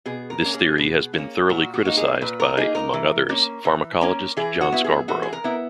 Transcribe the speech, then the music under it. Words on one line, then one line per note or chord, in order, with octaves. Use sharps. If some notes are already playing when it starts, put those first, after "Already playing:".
This theory has been thoroughly criticized by, among others, pharmacologist John Scarborough.
B2 G#4
A#4
A#3 C#4
G#4
B2
A#3 C#4
A#2 F#4
F#4
A#3 D#4
G#4
A#2 B4
A#4
A#3 D#4 G#4
A#4
E3
A#3 C#4
E3
A#3 C#4
E3 G#4
F#4
B3 E4
G#4
E3 F#4
G#4
A#4
B3 E4